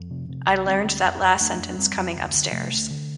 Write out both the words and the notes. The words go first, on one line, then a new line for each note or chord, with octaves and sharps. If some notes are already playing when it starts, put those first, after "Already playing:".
I learned that last sentence coming upstairs.
Already playing: F2 F3
C3
C3
C2
D2 G3 C4
D2
F2
F2
F2 A3 D4
F2
F2 G3 C4
F2
D2
D3
C3 F3 A3
D2
D3